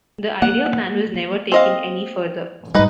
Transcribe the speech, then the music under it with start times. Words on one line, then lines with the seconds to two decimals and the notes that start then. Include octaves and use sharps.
The idea plan was never taken any further.
0.42 A#3 F#5
1.52 C4 D#5 F5
2.74 G#2 G3 D#4 B4